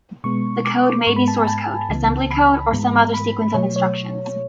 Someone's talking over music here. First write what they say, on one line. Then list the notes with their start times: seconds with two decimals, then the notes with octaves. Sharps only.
The code may be source code, assembly code or some other sequence of instructions.
0.24 B2 G#3 B3 C#6
0.65 D6
1.07 G#2 G#3 B3 C#6
1.16 B5
1.28 A5
1.37 G#5
1.47 A5
1.89 C#2 C#3 E3 B3
2.31 B5
2.72 G#2 E3 G#3 B3
3.14 B5
3.54 B2 F#3 A3 C#5
3.76 C#5